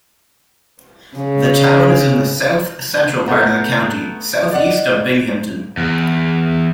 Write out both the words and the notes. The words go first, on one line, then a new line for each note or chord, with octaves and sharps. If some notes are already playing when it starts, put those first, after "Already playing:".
The town is in the south-central part of the county, southeast of Binghamton.
C#3
A3 B3 A#5 G6
D5 D#5 F#5
E2